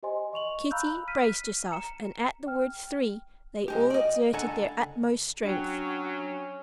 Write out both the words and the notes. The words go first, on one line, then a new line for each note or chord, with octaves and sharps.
Kitty braced herself, and at the word "three," they all exerted their utmost strength.
G4 C5 D#5 G#5 C6
D#5 C#6 F7 F#7
F5 A#5 B5 E6 F#6 G6
F6 B6 D#7
A#5 C#7 E7
G5 F6
C2 G#3 G4
D5 D#5
C#2 D4 A4 F#5 G#5 A#5
F#3 C#4 D4 F#4 G5